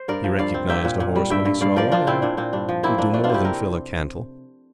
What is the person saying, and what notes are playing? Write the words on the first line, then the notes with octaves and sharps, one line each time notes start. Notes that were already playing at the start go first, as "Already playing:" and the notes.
He recognized a horse when he saw one, and could do more than fill a cantle.
Already playing: C5
G2 A#4 D5
F3
G2 D5 F5
C4
A#3 E5 G5
A#2
A#2
G3
G2 E5 G5
G2
G2 D5 F5
F3 A#4 D5
C4 D4 F4
A#2 C4 E4
A#2 D4
A#2 C4
G2 D4
F3
A#3 C4 E4
A#3 D4
A3 D4
D4 F4
C3 E4 G4
C4 A#4